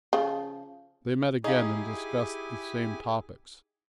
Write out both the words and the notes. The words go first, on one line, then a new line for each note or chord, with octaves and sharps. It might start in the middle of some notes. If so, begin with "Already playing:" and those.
They met again and discussed the same topics.
C#3 F3
D#4 E4 G4 G#4 F5 G#5 C#6